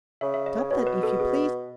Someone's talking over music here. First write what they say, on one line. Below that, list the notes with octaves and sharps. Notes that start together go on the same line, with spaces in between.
Stop that if you please!
C#3 E5
E5
D#5
C#5
B2 C#5
B4
A4
G#4